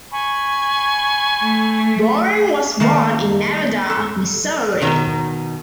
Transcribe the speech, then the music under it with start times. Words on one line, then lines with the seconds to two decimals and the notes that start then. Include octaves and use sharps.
Bowring was born in Nevada, Missouri.
0.12 G#5 B5 C#6
1.44 A3
2.80 D#3 A3 A#3
3.90 A4
4.81 B2 D#3 A#5